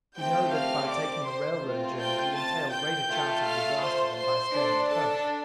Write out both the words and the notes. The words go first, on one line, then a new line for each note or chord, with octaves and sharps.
We know that by taking a railroad journey we entail greater chance of disaster than by staying at home.
A3 C4 G4 G5 G6
F5 F6
D5 D6
C5 C6
A3 C4 F4
G5 G6
A5 A6
G5 G6
A3 F4 A4
F5 F6
C5 C6
C5 C6
D4 A4
A4 A5